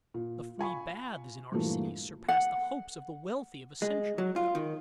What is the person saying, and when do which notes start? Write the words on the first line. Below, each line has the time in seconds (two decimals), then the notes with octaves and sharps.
The free baths in our cities surpass the hopes of the wealthy of a century ago.
0.14 A#2
0.59 F4 G#5 B5 C#6
1.52 G2 A#2 E3 F#3 A3 A#3
2.28 F#5
3.82 G#3
4.18 F#3
4.36 F4
4.55 D#3